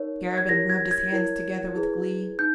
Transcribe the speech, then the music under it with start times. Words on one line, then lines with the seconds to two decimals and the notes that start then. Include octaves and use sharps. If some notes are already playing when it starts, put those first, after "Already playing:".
Garabin rubbed his hands together with glee.
Already playing: D#4 A#4 C#5
0.38 G#6
0.49 E4 G4 A#4 C#5 A#6
0.70 G#6
0.91 G#6
1.13 E4 A#4 C#5
1.76 E4 G#4 B4
2.39 D#4 G6